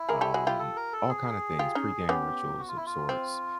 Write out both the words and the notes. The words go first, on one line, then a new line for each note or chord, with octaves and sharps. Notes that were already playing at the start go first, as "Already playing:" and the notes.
um, all kinda things, pregame rituals of sorts.
Already playing: E4
G#4 A#4
G4 A4
F#4 G#4
F4 G4
A4
A#4
A4
G#4
F4 G4
C#4 D#4
B3 C#4 G4
F#4
F4
E4
F4
C4